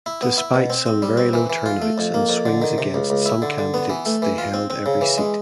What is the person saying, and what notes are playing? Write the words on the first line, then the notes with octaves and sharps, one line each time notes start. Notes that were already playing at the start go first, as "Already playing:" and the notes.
Despite some very low turnouts and swings against some candidates they held every seat.
E4
B3
E4
B2
C4
C4
G3
C4
E3
E3
F4
A3
F2
A#3
F2
D3
D#3
C3
C#2
C#2
E4
D3
D3
B3
E3
A3
E3
F4
C4
C4
C#3
E3
G#3